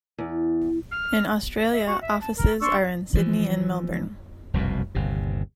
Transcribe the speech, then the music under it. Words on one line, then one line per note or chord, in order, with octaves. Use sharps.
In Australia offices are in Sydney and Melbourne.
E2
F6
E5
F#4 C#6
E5
A5
A#4
D4 C6 C#6 E6
E3 F3
F1 C2 F#2 B2
G1 D#2 C3